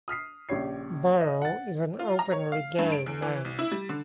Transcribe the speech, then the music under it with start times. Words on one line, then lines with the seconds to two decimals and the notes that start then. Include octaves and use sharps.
Borrow is an openly gay man.
0.08 D#6 F6 B6 C7
0.49 A#1 C#3 G4 C#5 C7
1.21 D#5
1.42 F#5 A6
1.99 F4
2.19 A#5
2.33 C#5
2.52 F5
2.79 G2
2.92 D7
3.06 E2
3.22 E3
3.45 C2
3.59 E4
3.72 G3
3.89 D3